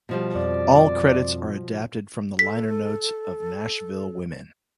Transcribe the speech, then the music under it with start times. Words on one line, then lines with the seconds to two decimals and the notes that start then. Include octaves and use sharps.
All credits are adapted from the liner notes of "Nashville Women".
0.09 B2 F3 G3
0.35 F2 D5
2.39 A4 B6